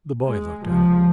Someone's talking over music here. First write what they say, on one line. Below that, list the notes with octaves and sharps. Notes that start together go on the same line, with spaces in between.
The boy looked at him.
G#3
C#2 C3 F3